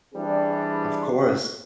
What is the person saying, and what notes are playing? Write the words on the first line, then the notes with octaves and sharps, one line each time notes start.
Of course,
E3 G3 C4 D4 G#4